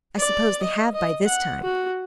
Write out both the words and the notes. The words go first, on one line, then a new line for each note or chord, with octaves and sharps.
"I suppose they have by this time."
D5
D#5
D#5
F#5
F#4